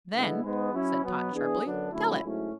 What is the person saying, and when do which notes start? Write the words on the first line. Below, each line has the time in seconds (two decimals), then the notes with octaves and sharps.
"Then," said Tot, sharply, "tell it!"
0.12 D3 G#3 B3 E4
0.43 G#2 G#3 B3
0.73 F#3 C#4 E4
1.02 B2 F#3 B3
1.32 E3 B3 D4 G#4
1.62 F#2 D3 F#3 B3 D4
1.91 D3 F#3 A3 C#4 E4
2.22 G#2 F#3 A3 C#4 E4